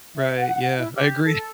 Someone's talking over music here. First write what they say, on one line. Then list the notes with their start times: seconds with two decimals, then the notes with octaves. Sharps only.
Right. Yeah, I agree.
0.18 E5
0.36 F#5
0.78 E4
0.96 G4
1.25 A4